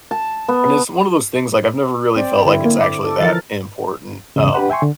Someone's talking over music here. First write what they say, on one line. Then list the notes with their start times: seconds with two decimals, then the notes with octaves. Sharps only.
And it's one of those things, like, I've never really felt like it's actually that important, um,
0.11 A5
0.48 B3
2.16 C4 C5 D5
2.46 D3 E4
2.65 A#3
2.81 D6
3.04 A4
3.20 E3 F3 A#4 A6
4.36 E2 G#2 C#3
4.54 D4 G4 B4 F#5
4.70 E5 G5 G#5 C6 C#6
4.82 D3